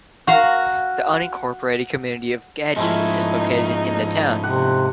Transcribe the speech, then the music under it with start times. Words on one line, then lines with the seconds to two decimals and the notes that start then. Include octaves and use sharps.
The unincorporated community of Gagen is located in the town.
0.27 F#4 F5 A#5
2.76 G#2 F3 G#3 A3 D#4 E4
4.43 C3 G4 F#5